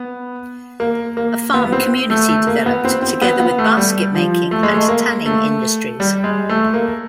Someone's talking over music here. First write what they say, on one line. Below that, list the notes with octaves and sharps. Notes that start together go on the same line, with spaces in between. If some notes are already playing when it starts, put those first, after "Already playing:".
A farm community developed, together with basket making and tanning industries.
Already playing: B3
A#3
A#3
B3
B3
C4
A3
A3
A#3
B3
C4
C4
B3
B3
A3
G3
F3
A3
G#3
A3
A#3
A3
G3
G#3
A3
A#3